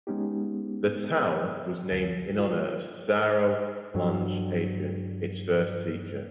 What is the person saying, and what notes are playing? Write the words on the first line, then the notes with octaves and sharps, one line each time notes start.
The town was named in honor of Cesario Lange Adrien, its first teacher.
G#3 B3 C#4 D#4 G4
D2
F#3
F4
G2 F#3